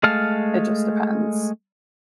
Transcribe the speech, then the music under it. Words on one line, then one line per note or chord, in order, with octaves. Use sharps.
it just depends.
G#3 A3 F5 A5 F6